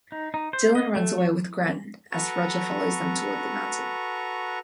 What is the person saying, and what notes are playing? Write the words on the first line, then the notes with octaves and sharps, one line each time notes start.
Dylan runs away with Gren as Roger follows them toward the mountain.
D#4
D#4
C5
D#5
A3
C#6
F#4 A4 B4 A#5 C#6